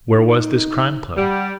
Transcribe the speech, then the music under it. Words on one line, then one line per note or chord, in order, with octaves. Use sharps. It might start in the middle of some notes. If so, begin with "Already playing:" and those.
Where was this Crime Club?
D#4
G3 F#5